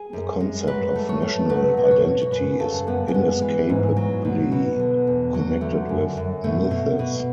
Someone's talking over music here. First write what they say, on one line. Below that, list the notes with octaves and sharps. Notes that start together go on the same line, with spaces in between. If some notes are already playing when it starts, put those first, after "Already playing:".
The concept of national identity is inescapably connected with myths.
Already playing: G#4
F#2
G#3
F#3 B4
A3
C#5
A3
F#3 B4
B2
C#5
B2
C#5
F#2 B4
C#3 A4
F#2 B3
C#4
G#3 B3
E3
G#2
F#3
B2
B2
D3
E2
F#3
D3 A3
F#2
F#2
B2 A3
B2
B2